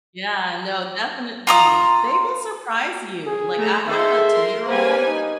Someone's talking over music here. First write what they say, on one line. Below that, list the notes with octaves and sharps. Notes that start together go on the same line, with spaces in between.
Yeah, no, definitely. They will surprise you. Like, I have a two-year-old,
F4 A#5 D#6
G#4
A3 A#5
D#3 G#4 A4 C5 E5
A#4 C6
G3 A#3 B4 C5 G#5
D#4